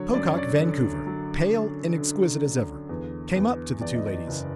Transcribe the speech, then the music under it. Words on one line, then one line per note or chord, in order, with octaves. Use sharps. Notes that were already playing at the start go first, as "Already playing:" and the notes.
Pocock Vancouver, pale and exquisite as ever, came up to the two ladies.
Already playing: D3 F#3 C#5
F#2 D5
C#5
D5
D3
F#3
D3
D3
D3
E2
E2
E2 D5
D#5
D5
F#1